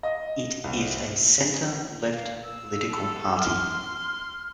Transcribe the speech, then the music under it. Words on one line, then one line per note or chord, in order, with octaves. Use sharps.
It is a centre-left political party.
D#5
C2
F5
E6
A4 E6
C6 F6